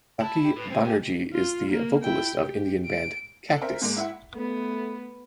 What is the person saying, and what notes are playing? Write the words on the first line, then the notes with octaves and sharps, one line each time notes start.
Saqi Banerjee is the vocalist of Indian band Cactus.
E4 A5
G4
A2 B4
C#3 C4 G#5
G#2 G4 G#5
F4
A#3
E4 G5
G4
D7
D4 A4
C4 A#4 E5
G#2 G#3 A#3
E4 E5 F#5
A3 B3